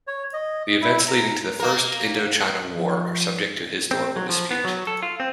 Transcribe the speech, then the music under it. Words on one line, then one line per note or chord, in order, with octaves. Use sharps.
The events leading to the First Indochina War are subject to historical dispute.
C#5
D#5
E4
A#5
A#3 A#4
F3
C4
F#3
F3
B3
F#3
A4
F4
C4